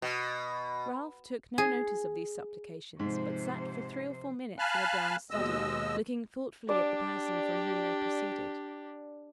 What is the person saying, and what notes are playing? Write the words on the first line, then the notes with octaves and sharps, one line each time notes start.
Ralph took no notice of these supplications, but sat for three or four minutes in a brown study, looking thoughtfully at the person from whom they proceeded.
B2
G#4
G#2 C3 F3 C5
F5 G#5 A5 B5 F6 F#6
D#2 B2 G#3 D#5 E6
D4 G4 D5